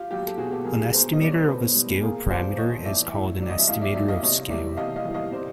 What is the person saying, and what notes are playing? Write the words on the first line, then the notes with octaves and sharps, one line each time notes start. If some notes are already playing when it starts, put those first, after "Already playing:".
An estimator of a scale parameter is called an estimator of scale.
Already playing: F4 G4
F#3 F4 G4
A4
B2 F#4 G#4
G4 A4
F#3 G#4 A#4
G#4 A#4
B2 A#4 C5
D#5
G3 D5
C#5
C5
B2 A4 B4
G3
A#2 G#4 A#4
F3 C5 D5
A#2 C#5 D#5
F3 D5 E5
A2
F#3 D5
D#5
E5
A2 D#5 F5
D5 E5
F#3 D5 E5
D#5 F5
C3 C#5 D#5
E3 G3 D5 E5
C3 D#5 F5
D#5 F5
E3 G3
D#5 F5
C3 C5 D5